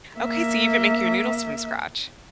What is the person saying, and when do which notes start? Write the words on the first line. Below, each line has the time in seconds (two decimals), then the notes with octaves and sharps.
Okay, so you even make your noodles from scratch.
0.18 A#3 E5